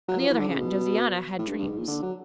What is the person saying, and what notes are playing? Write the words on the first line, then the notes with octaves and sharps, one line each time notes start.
On the other hand, Josiana had dreams.
F#3
F3
E3
D3
C#3
B2
A2
G2
G2
G#2
A#2
D3
F#3